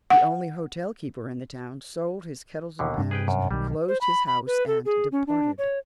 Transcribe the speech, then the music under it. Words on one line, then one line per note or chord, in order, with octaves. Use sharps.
The only hotel-keeper in the town sold his kettles and pans, closed his house, and departed.
F#5
D#2 B2 D3
G2 C3 D4
G#4 B4 G5
F#2
B1 D#3 G3
C5
B5
B5
B4
A4
G#4
C#4
D4
C#5